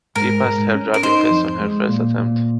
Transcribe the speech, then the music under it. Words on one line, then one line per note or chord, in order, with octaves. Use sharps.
She passed her driving test on her first attempt.
G#2 A#4
G#2
C#4
A#4
D#4 C5
F2
G#3
A#2
A#2